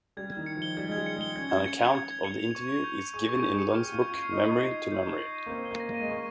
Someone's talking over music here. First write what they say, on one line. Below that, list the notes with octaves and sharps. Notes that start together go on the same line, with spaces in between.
An account of the interview is given in Lunn's book "Memory to Memory".
G3 G#6
D#3 G#6
C#7
F3
G7
G3 G#6
G#3
G3 G#6
C#7
G#3 G7
C#4 G#6
G#6
C#7
F7
G#6
G#6
C#7
F7
C#6
C#6
G6
C#7
G#4 C#6
G#4 C#6
G6
G#4
C#7
G4 F6
F4 D#7
G#6
F4 C7
D#4 F6
D#7
G#6
C7
G6
G7
A#6
D#7
A#3
C4 G6
G7
A#3
A#6
A#3 D#7
G#3
A#3 C#6